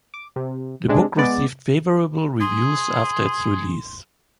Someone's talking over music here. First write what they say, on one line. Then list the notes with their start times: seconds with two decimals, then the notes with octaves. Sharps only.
The book received favorable reviews after its release.
0.14 D6
0.36 C3
0.88 C3 G#3 D4
1.17 G#3 B3 D5
2.40 G#4 C6